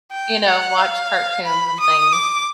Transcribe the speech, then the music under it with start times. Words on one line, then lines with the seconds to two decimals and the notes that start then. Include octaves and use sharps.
you know, watch cartoons and things,
0.11 G5
0.46 F#5
0.78 F5
1.46 B5
1.80 D#6
2.12 D6